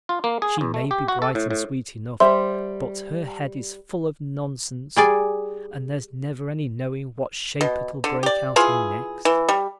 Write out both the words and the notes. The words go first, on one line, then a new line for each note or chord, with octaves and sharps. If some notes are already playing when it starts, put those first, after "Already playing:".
She may be bright and sweet enough, but her head is full of nonsense and there's never any knowing what shape it'll break out in next.
F4
A#3
G#4
E2
A3
G4
F#4
A4
A2
A2
G3 C5 E5 C6
G3 G#4 D5
B2
D3
G4 D5
E3 F4 G#4
E3
G3